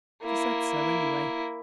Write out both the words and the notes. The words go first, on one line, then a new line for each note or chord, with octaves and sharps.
She said so, anyway.
A#3 E4